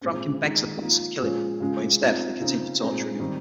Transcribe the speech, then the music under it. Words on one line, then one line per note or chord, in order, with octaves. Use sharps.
Framkin begs the puppets to kill him, but instead, they continue torturing him.
A#2 G#3 C4
D#3 G#3 D#4
F3 A#3 D#4
A#2 F3 G#3 C#4
C#3 F3 G#3
F3 C4 D#4
C#3 F3 C4 D#4
A#2 G#3 C4 D#4
D#3 G3 C4 D#4